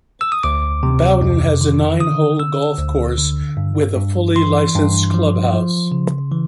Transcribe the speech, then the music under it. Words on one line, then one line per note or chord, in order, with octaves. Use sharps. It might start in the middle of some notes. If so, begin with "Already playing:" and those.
Bowden has a nine-hole golf course with a fully licensed clubhouse.
E6
D#6
D2 D6
C3
F2
D#3
D3 D#6
D3 E6
D2
D3
G2
G2
E3 C6
G2
F3
F3
C#3
E3